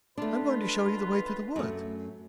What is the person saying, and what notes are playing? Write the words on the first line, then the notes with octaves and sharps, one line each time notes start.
I'm going to show you the way through the woods.
B2 A3 D4 F4 B4
F#2 A3